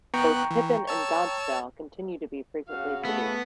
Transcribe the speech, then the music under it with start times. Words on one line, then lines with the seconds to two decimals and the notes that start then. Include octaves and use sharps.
Both "Pippin" and "Godspell" continue to be frequently produced.
0.14 B3 G5 A#5 C#6 F#6
0.51 E3
0.87 C#5 A5 E6
2.68 C#3 F#4 F5
3.05 A3 B3